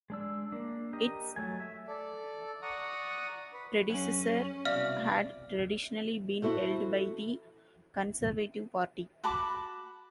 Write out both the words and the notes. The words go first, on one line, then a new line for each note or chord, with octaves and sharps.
Its predecessor had traditionally been held by the Conservative Party.
G#3 D4 E6
A#3 D4
G4 A#4 D#5
F#3 A3 G#5
E5
A4 D5
D5 F#5 A#5 C#6 D#6
B4
F#2 C#4 G#4 F#5
C2 B2 D5 E5 F5 F6
E4 F#4 A4 C5
F#4 A5 B5 D6